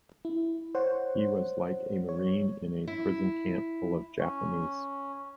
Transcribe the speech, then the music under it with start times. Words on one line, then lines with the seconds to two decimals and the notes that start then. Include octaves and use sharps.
He was like a marine in a prison camp full of Japanese.
0.25 E4
0.75 C5 C#5 F#5
2.09 C#5
2.87 E4
4.19 C#4